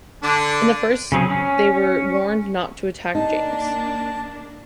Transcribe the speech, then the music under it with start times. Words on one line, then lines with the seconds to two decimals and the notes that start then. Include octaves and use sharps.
In the first they were warned not to attack James.
0.23 D3 D4 A5
1.12 C#3 F#3 C4 G#4
1.31 C#4
3.15 A#3 D4 D#4 A5